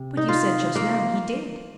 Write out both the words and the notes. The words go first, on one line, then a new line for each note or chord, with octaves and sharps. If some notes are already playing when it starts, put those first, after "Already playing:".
"But you said just now he did."
Already playing: C3
D#4
F4
A#3